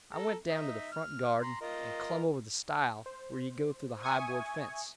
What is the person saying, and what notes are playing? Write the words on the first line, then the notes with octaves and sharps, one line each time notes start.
I went down to the front garden and clumb over the stile where you go through the high board fence.
A4 A#5
D#4 E5
F6
A#5 C6
F4 A#4 D#5
C5
E5 G#5 C#6 D#6 G#6